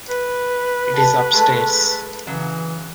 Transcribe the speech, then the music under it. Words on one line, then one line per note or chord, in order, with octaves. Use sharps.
It is upstairs.
B4
G4 A4
G#3 A3
C#3 E3 F#3